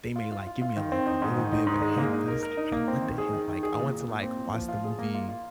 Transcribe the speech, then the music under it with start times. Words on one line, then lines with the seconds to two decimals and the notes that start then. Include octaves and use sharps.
they may, like, "Give me a, like, a little bit of a hint." but it's like, "I don't want the hint, like, I want to, like, watch the movie
0.16 F4
0.32 F4
0.47 F4
0.62 F4
0.76 D#3
0.92 C4
1.06 D#4
1.22 G#2
1.37 D#3
1.52 D#4
1.67 G#2
1.82 G#3
1.98 A#3
2.13 D#4
2.28 A#4
2.43 A#4
2.57 D#4
2.72 A#3
2.88 C4
3.02 D#3
3.18 G#4
3.33 D#3
3.48 D#3
3.63 G#4
3.79 A#2
3.93 A#2
4.08 A#2
4.23 C4
4.38 A#2
4.54 F3
4.69 F4
4.84 G#4
4.99 A#3
5.14 F4
5.29 F4